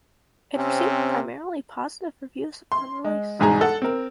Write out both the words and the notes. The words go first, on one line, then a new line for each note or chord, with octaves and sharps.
It received primarily positive reviews upon release.
C3 C4 C#4
C6
G#3
E1 C2 G#2 G#4 G#5 A#5
A4 F#5
C4 A#4